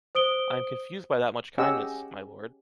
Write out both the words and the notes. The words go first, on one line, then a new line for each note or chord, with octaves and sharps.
I am confused by that much kindness, milord.
C5 D#6 D7 G7
C#4 G4 G#4 D#5 F#5 E6